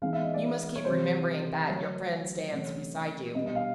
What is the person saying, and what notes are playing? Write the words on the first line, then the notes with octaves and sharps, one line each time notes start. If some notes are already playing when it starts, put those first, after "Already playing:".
You must keep remembering that your friend stands beside you.
E3 G#3 B3 D#4 F5
E5
D#5
D5
C#5
C3 E3 G3 C4 C5
D3 F#3 A3 D4 C#5
C3 E3 A3 C#4 C#5
B2 G3 B3 D4 D#5
D#5
F5